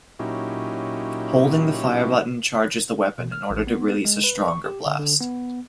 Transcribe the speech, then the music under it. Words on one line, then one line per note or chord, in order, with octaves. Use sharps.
Holding the fire button charges the weapon in order to release a stronger blast.
A#2 F#3 C#4 D#4 E4 G4
B2
F6
A1
B3
G#3
B4
C#6
G4
D3
D3
B3